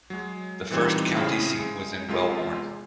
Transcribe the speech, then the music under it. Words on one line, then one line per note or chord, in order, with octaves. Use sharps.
The first county seat was in Wellborn.
F#3 G#3
A#2 E3 G3 C4 D#4
A2 C#3 C4 E4
G#3
C3 G#3 F4